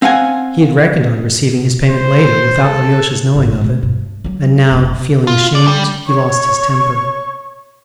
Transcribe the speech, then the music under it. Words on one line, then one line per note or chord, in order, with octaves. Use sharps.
He had reckoned on receiving his payment later, without Alyosha's knowing of it, and now, feeling ashamed, he lost his temper.
C4 F5 F#5 G#5
C5
A4
G#1 E4
B2 A3
G2
F#3 G3
F1 A2
F4
D5
G3
C#5 C#6